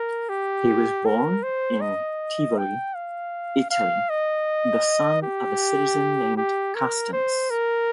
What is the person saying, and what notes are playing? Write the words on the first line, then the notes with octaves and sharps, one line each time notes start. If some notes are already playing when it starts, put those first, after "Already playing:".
He was born in Tivoli, Italy, the son of a citizen named Castinus.
Already playing: A#4
G4
A#4
C5
D#5
G5
F5
F5
D#5
G4
G4
A#4
C5
A#4